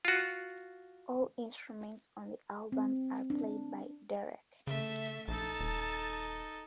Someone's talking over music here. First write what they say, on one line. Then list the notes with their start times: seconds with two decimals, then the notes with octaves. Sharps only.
All instruments on the album are played by Derek.
0.05 F4 F#4
2.72 C4
3.30 D4
4.67 C#3 A3 E5
5.28 A#1 D#4 A4 A5
5.60 D#1